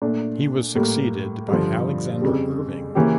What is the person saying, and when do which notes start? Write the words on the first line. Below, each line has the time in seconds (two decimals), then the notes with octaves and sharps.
He was succeeded by Alexander Irving.
0.02 A#2 A3 D4
0.75 A2 G3 A#3
1.48 G2 D3 F3
2.22 F2 C#3 G3
2.95 C#3 E3 A#3 C#4 G4